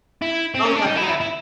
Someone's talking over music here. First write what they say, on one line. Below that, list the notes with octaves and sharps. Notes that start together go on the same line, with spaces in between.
It's all about him.
E4
C4
C#4
D4
D#4
E4
D#4
E4
E4